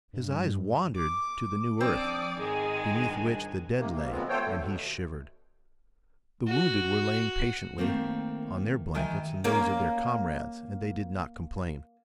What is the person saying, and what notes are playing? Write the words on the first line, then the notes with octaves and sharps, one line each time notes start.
His eyes wandered to the new earth, beneath which the dead lay, and he shivered. The wounded were lying patiently on their blankets and those of their comrades and they did not complain.
G2
D6
F3 C4 D5 D6 D#6
G#2 D#3 G#3 G#4 G#5
C#2 G3 D4
C3 D#3 A#3
B2 A#3
A#2 D3 F3 G#3 B3 C4
A3 B3 A4 C5 C#5 G5
D3 A3
D#2 B2
F#4
D#3 A3 A#3 C4
D#3 E3 G5 G#5
A#3 C#4 A#4